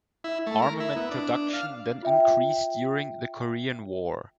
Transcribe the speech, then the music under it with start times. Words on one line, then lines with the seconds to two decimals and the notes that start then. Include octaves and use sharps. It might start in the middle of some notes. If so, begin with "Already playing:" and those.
Armament production then increased during the Korean War.
0.24 E4
0.47 A3
0.62 A#4
0.80 E4
0.96 B3
1.11 D4
1.53 F5
2.03 F4 E5 G5